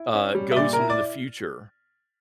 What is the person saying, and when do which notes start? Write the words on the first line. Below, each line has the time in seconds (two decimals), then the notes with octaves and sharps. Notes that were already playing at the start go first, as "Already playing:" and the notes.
uh, goes into the future
Already playing: E4
0.14 C#4
0.35 G3
0.52 E5
0.56 A#2 D5
0.73 A#4
0.79 E4
0.90 D5